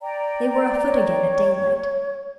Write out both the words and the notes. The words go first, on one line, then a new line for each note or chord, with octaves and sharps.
They were afoot again, at daylight.
D5 G5 A#5
C#5